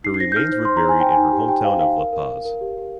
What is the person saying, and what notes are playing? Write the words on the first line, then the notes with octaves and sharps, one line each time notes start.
Her remains were buried in her hometown of La Paz.
D#4 C7
C7
C5 A#6
G6
D#4 F6
C5
C6
C5
A#5
C5 G#5
C5 G5
G#5
D#4
G4
G4 G5
C5 F5
D#4 F5
A#4
A#4
A#4
A#4
G4
G4